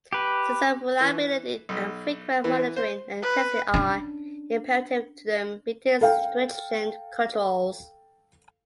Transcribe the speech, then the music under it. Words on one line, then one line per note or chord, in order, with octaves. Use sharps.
System reliability and frequent monitoring and testing are imperative to them meeting stringent controls.
G4 B4
E3
B1
E3
C5
B4
C#4 D4
A4 F5 G5